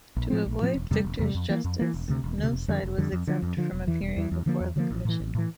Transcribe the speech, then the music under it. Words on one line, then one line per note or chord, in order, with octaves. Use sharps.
To avoid victor's justice, no side was exempt from appearing before the commission.
A#1
A2 F3 C4
A#1
A2 F3 C4
E1
E2 C3 G3
E1
E2 C3 G3
F2
E3 A#3
F2
E3 A#3
E1
D2 C3
E1
D2
C3
F1
F2 D3 G3
F1
F2 D3 G3
F2
D3 F3
F2
D3 F3
E1
E2 E3
E1
E2 E3
E2
D3 F3 A#3
E2
D3 F3 A#3
A1
A2 E3
A1
A2 E3